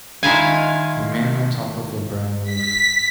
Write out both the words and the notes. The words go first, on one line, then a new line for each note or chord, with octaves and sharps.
A man on top of a brown roof.
D#3 G#3 E4 F4 F5 G#5
B6